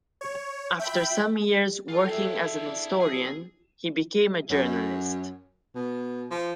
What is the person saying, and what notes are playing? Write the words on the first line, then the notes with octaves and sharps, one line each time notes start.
After some years working as a historian he became a journalist.
C#5
E5 G5 B5
F4 G#4 A4 D5
E4 E5 F5 G5
D5
G#4
F#2
B2
F3